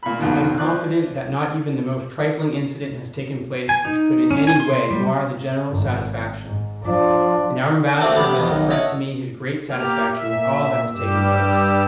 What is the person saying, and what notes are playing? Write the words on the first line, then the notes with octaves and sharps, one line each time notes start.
I am confident that not even the most trifling incident has taken place which could in any way mar the general satisfaction, and our Ambassador has expressed to me his great satisfaction with all that has taken place.
A#2 B5
C2 F2 B2 D#3
F3 D5 F#6
G#5
D#4
C#4
G#5
C6
G3
G#1
G#2
F3 D4
A3 A#3 C4 D4 F#4 A4
G3 B3 D4
F2 B3
B1 D#3
C#5 D#5 E5 F#5 A5
A#3 G4 F6
A#2 E5
G2 G3 G4 E6